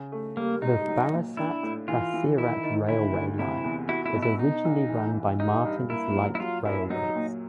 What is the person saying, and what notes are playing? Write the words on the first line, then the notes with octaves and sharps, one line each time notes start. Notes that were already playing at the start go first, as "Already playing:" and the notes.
The Barasat - Basirhat Railway line was originally run by Martin's Light Railways.
Already playing: C#3
A3
G3 A#3
G#2 D#4
F#3
A#2
D4 E4
A2
E3 F4
E3
D#3 E4
D#3
D2 E4
D2
C3 E4
E2
E4 F#4
E4
B2
E4
B2 D#4
B1
E3
E3
G2 D#4
G2
A#3 E4
F#3
E4
F#3 F4
F#2 E4
F#3 D#4
A#2